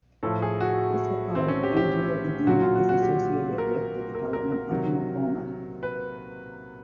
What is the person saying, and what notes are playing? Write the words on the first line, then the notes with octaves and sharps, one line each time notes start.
This acquired angioedema is associated with the development of lymphoma.
A2 F3 A4
G#4
F#4
C4
C#4
G4
G4
A#2 F#3 F#4
F4
F#4
F#4
G4
A#4
A#4
A#4
A#4
C3 D#3 F#3
B4